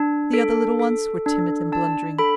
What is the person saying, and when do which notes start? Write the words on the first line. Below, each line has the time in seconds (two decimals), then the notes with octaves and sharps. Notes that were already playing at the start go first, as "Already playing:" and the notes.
The other little ones were timid and blundering.
Already playing: D4
0.34 A4
0.79 A4
1.26 D4
1.72 D4 A5
2.19 A4 B5